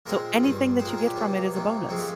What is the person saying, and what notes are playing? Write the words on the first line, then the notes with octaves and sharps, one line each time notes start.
so anything that you get from it is a bonus.
A#2 G#3 C4 A#4
G2 G3 C4
A#2 G#3 C4 C5
A#4
G#4
G4
C#2 C3 G3 A#3
C2 C3 D#3 A#3
F2 C#3 G#3 C4 F4
G4